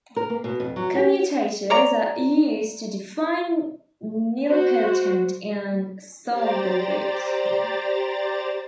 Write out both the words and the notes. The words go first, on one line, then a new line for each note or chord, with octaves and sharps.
Commutators are used to define nilpotent and solvable groups.
A#4
A#3
B2
F2
F#3
C#4
C#5 D5 A#5
F#4 C5
G4 C5 D5 A#5 A6